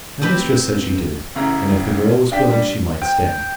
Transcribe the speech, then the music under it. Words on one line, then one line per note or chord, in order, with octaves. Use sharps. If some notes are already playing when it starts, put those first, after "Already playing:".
The mistress said she did, and if the girl was willing she might stay.
C4 G4 B4
A1 C#3 E4 A#5
D4 D5 G5 B6
G3 D4
G5